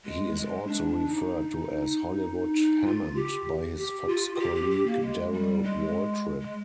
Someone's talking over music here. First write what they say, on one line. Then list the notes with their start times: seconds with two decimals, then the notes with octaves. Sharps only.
He is also referred to as Hollywood Hammond by his Fox colleague Darrell Waltrip.
0.05 G#3
0.36 G#3
0.67 D4
0.87 D4
1.08 D#4
2.54 D#4
2.85 F4
3.16 G4
3.77 G4
4.08 F4
4.35 F4
4.40 G4
4.55 G4
4.71 G4
4.86 A#3
5.01 G#3
5.32 G3
5.63 G#3
6.41 G#3